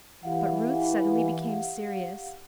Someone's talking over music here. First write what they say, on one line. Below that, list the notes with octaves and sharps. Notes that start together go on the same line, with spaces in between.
But Ruth suddenly became serious.
E3 G4 F5 F#5